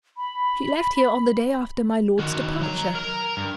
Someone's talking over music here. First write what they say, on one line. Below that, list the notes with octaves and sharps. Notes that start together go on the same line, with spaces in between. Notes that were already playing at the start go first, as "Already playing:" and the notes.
"She left here on the day after my lord's departure."
B5
D#3 F#4
F#3 A#5
A#4 A#5
G2